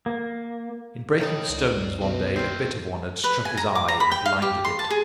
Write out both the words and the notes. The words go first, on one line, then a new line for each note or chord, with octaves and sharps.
In breaking stones one day a bit of one had struck his eye and blinded it.
A#3
A2 C#3 D4 D#4 G5 A5
C#2 A#3 D5
B2 D#3 C4
D#3 A#3 C4 F4
B4
G#5
A#5
D6
A#5
B5
G5
F5
G4
C6
A5
G#4